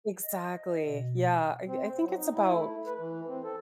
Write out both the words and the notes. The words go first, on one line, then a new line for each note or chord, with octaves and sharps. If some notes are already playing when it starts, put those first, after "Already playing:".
Exactly, yeah, I I think it's about
D#5
B2
C4
F#3
D#4
E4
A3
B4
E3
C4
A4